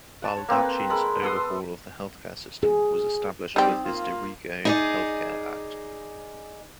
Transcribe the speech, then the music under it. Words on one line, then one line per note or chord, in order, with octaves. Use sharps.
Baldacci's overhaul of the healthcare system was established with his Dirigo Health Care Act.
F#5 A5
C#5
A#3 C4 A4 B4
G#3 A4 A#4 B5
B3 A4 C6 D#6
G#4
G3 C4 D#4
A#3 F4
D#4 G#4 D5